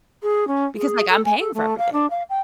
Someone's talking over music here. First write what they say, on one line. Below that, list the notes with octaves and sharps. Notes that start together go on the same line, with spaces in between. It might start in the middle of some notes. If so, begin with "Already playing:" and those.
because, like, I'm paying for everything."
G#4
C#4
G#4
A4
G#5
A4
A3
F5
D4
F5
G5